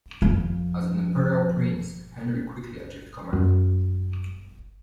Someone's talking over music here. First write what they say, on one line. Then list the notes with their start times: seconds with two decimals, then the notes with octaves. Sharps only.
As an imperial prince, Henry quickly achieved command.
0.22 F2 F3
3.33 F#2